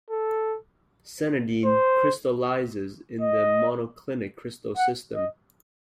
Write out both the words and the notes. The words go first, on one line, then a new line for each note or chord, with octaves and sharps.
Sanidine crystallizes in the monoclinic crystal system.
A4
C5
D#5
F#5
D#5